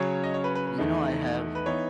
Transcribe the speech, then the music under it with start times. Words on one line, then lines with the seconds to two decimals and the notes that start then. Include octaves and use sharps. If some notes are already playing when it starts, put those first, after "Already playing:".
You know I have.
Already playing: C#3 F#3 C#4 C#5
0.23 D#5
0.34 C#5
0.44 B4
0.55 B4
0.67 B4
0.78 E2 D#3 A3 D#4
1.55 B4
1.66 E3 B3 D#4 C#5